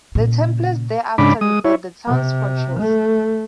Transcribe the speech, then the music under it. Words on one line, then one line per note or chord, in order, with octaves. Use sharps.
The Templars thereafter rebuilt the town's fortress.
A#2 C#3
G#2 C#3 D4 B5 D6
G#3 D#6
E4 C#5
C3
A3